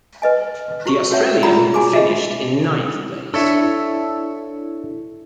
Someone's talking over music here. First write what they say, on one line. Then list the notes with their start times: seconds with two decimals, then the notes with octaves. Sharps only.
The Australian finished in ninth place.
0.22 B4 D#5 G#5
0.86 E4 F#4 G4 C#6
1.11 F#4 C#5 E5 F#5
1.43 F4 G#4 F#5 A#5 B5
1.74 F#4 G#4 G#5 C6 D6
1.93 G#4 D#5 E5
3.34 D4 E4 A4 C#5 E5